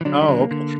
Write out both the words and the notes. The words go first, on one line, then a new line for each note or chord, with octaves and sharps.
Oh, okay.
E3
D3 F#3 D4
G3
D3 F#3
A#3
D3